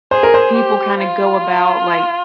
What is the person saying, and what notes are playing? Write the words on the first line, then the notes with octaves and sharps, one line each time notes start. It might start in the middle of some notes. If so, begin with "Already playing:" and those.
people kinda go about, like,
G#4 C5
A#4
C5
G4
F4